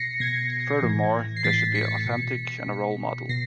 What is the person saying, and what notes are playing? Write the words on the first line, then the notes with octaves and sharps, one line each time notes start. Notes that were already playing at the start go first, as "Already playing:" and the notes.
Furthermore, they should be authentic and a role model.
Already playing: B2 A#6 C7 C#7
B2 G#6 A#6
A2 E3
C7
A2 E3 A6 B6
B6 C#7
B2
B2
B2 A#6 C7